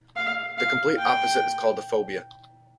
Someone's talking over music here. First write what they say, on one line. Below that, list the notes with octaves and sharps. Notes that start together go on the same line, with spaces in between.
The complete opposite is called a phobia.
F5
F5
G5